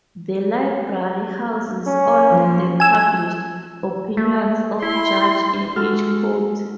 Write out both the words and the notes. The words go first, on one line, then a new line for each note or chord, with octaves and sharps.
The Library houses all of the published opinions of judges in each county.
C#4
F3
G#5 E6
A3
E4 C6
G#3 F#4 A4 F6